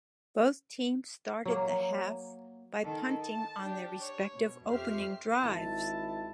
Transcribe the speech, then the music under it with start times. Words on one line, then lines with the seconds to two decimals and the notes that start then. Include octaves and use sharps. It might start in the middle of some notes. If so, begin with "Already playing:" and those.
Both teams started the half by punting on their respective opening drives.
1.45 F#3 A#3
2.83 D#3 A4
3.21 A5
3.62 D4 G4
4.02 C#5
4.34 B2
4.68 F2 G4 C5 E5 F6 C7
5.41 G#1 E4 A5